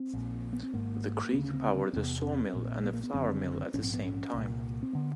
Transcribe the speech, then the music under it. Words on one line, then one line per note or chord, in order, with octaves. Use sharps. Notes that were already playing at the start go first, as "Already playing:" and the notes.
The creek powered a saw mill and a flour mill at the time.
Already playing: C4
A#1 A#2
B3
C4
G#1 G#2 A#3
D2 C#3 B3
C#4
C4
F#1 E2 C3 C4
B3
C4
A#1 A#2
B3
A#3
B3
F#1 F#2 D3 C4
A#1 G#2 C#4
C4
B3
C#4
C2 A#2
C4
D3 B3